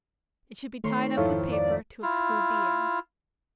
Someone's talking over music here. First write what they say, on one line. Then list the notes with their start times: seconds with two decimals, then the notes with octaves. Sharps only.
It should be tied up with paper to exclude the air.
0.84 D#3 A3 C#5 C6
1.17 G#1 F2 E4 A4 C#5 F5
1.52 D5
2.03 E4 F4